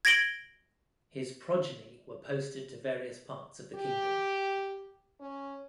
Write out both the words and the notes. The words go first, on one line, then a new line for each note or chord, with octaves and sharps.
His progeny were posted to various parts of the kingdom.
G#6 A#6 D7 F#7 G7
G4
C#4